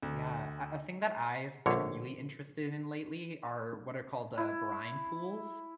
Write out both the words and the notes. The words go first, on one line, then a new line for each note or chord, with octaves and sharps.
Yeah, a a thing that I've been really interested in lately are what are called, uh, brine pools.
D2
A#1 D3 C#5
E4